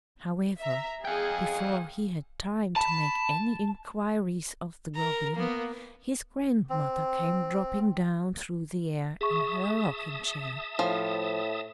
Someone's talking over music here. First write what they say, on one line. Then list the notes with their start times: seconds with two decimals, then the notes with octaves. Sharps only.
However, before he had time to make any inquiries of the Goblin, his grandmother came dropping down through the air in her rocking-chair.
0.59 E5 A#5
1.05 G#4 F5 G5
2.76 A5 B5
4.96 A#4 A#5
5.35 A#3 B3
6.70 C4
9.21 G#4 E5 A5 C#6 D#6
10.79 A2 F3